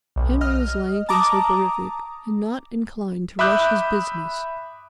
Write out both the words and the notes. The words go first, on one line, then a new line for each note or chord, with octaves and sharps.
Henry was lank and soporific, and not inclined to rush his business.
B1
D#5 F6
A5 A#5 D6 D#6
E5 B5 D6 D#6 F#6 G6